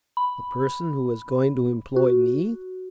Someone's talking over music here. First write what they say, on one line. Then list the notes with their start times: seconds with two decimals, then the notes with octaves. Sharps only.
"The person who is going to employ me?"
0.17 B5
1.96 F#4